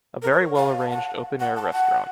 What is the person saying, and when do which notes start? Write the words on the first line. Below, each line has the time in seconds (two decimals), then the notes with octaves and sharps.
A very well arranged open air restaurant.
0.22 A#4
0.33 C#5
0.56 F5
0.79 A5
0.90 F#5
1.40 F#5
1.56 A5
1.73 F#5